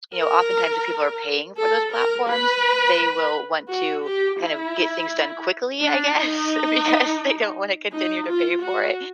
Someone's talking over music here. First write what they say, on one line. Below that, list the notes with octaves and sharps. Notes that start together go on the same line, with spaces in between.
you know, oftentimes if people are paying for those platforms, they will want to kind of get things done quickly, I guess, because they don't wanna continue to pay for it,
A#4
A4
A#4
B4
F#4
G4
E4
D4
D#4
D#4
F4
F#4